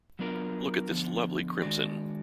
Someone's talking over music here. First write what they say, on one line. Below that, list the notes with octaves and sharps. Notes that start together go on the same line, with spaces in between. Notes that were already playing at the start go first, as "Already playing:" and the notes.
Look at this lovely crimson!
F#3 B3 D4 F4 A#4
D3 F3 B3
D#3 G#3 D4 F#4 D5